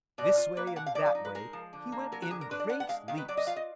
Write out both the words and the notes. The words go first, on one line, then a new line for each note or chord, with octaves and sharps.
This way and that way he went in great leaps.
B2 D5
F4
A#3 B4
F5
B2 F#5
F5
F3 D5
F5
D#4
B4
G#3 A#4
F3
D3
A#3
F#3 A#4
F#4
D3 G#4
A#4
D4 B4
D5
B3 F#5
F#5
G#3 F5
D#3 F5
B4
F#3 D5
D#5
F4 F5
D#5